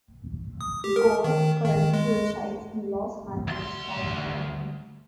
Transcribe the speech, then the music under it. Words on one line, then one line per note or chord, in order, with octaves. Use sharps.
Gore currently resides in Los Angeles, California.
D#6
G4
A#4
D#3
D#3
G#3
D2 C6